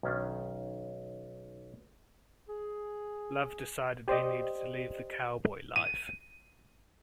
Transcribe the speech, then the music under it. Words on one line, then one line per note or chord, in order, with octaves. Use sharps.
Love decided he needed to leave the cowboy life.
B1 D#3 C#4 D4
G#4
G4 C5 D5 D#5
D#7